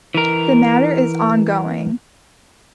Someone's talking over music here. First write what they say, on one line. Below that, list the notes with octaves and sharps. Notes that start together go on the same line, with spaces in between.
The matter is ongoing.
E3 A#4